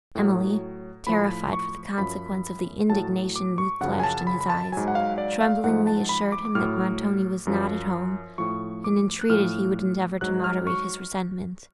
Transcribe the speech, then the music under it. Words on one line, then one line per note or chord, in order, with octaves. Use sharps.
Emily, terrified for the consequence of the indignation, that flashed in his eyes, tremblingly assured him, that Montoni was not at home, and entreated he would endeavour to moderate his resentment.
A2 F#3
A2 F3 B5
C#6
F#2 F3 B5
A2 F#3 A5
D6
C#6
F#2 C#3 F3 F#5
G#5
A5
B5
B5
A5
G#2 F#3 G#5
F#5
F5
D5
F5
G#2 F3 F#5
A5
B5
D6
D6
A2 F#3 F6
F#2 F3
A2 F3 C#6
D6
F#6
A2 F3 F6
G#2 F#3 F#6
F6
C#6